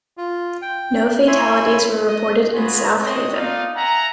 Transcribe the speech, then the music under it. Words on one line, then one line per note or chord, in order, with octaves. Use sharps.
No fatalities were reported in Southaven.
F4
G5
E4 C#5 E5 G#5 B5 C6
D#5
B3 F4 F#4 G#4 B4 C5
C4 C#5 D#5
D#4 F4 A4 D5 D#5 F5
E5 F#5 G#5 A#5